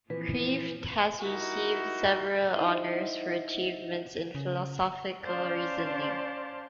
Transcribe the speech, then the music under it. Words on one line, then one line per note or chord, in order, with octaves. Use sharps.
Kreeft has received several honors for achievements in philosophical reasoning.
A#2 E3 F3 C4 B4
D#4 E4 F#4 A#4
D#4 E4 C5 D#5 E5 F#5
C#3
C#4 C5 D5 F5 A5 C6